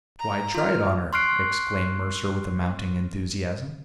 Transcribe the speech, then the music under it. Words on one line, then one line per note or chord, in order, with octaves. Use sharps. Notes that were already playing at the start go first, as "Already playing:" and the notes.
"Why, try it on her!" exclaimed Mercer with mounting enthusiasm.
A#5
F4 F6
C6 C#6 F6 F#6 C7 D7